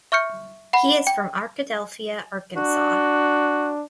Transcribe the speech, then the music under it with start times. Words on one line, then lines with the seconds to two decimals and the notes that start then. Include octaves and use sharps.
He is from Arkadelphia, Arkansas.
0.12 E5 C#6 F6 G6 C#7
0.73 F#5 B5
1.07 G5
2.56 D4 F#4